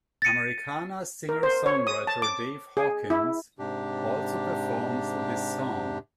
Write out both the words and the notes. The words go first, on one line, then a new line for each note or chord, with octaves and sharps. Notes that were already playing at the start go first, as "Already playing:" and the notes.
Americana Singer Songwriter Dave Hawkins also performs this song.
A6 A#6 C#7 D#7
A#4
C5
C#5
D#6
A5
D6
G#4
E4
G#2 C3 D4 G4